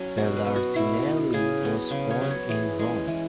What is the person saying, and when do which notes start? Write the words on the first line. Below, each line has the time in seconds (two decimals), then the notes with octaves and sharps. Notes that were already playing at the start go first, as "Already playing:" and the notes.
Belardinelli was born in Rome.
Already playing: F#3 C#4
0.17 B2 F#4
0.37 B4
0.47 B3
0.56 F#4
0.76 B2 E4
1.05 B3
1.33 C#3 G#4
1.63 F#3 B3
1.91 C#3
2.10 C#5
2.21 F#3 B3
2.31 C#5
2.49 E3 G#4
2.79 G#3 C#4
3.08 E3